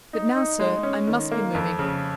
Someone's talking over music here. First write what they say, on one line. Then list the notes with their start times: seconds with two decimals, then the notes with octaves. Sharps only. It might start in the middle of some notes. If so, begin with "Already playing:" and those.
But now, sir, I must be moving.
0.13 D#4
0.36 D#4
0.60 G#3
0.83 C#4
1.07 D#3
1.32 A#3
1.55 F2
1.79 C#3